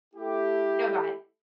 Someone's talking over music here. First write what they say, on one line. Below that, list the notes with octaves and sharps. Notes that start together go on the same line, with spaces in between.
No, go ahead.
A3 E4 G4